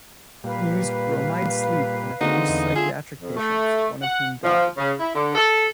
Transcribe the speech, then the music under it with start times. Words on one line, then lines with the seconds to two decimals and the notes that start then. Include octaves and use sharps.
He used bromide sleep in a few psychiatric patients, one of whom died.
0.44 A#2 G3 B4 F5
2.21 D3 G#3 A#3 C4 D#4 F#4
2.49 E2 D#5
2.75 F4 G#4 E5
3.21 F2
3.37 A3
4.02 F#5
4.43 F3
4.78 C#3
5.00 E4
5.15 D3
5.35 A4